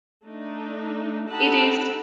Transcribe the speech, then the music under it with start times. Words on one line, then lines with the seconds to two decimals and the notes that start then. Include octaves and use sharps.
it is,
0.24 A3 D4 D#4
1.29 D#4 G4 A4 F#5 A5 B5